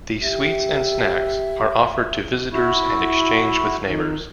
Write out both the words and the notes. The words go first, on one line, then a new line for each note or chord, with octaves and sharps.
These sweets and snacks are offered to visitors and exchanged with neighbors.
G4 E5
E4 F#4
D#3